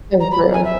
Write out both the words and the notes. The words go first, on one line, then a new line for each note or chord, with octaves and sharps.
So true.
A#5
B5
G#5
E5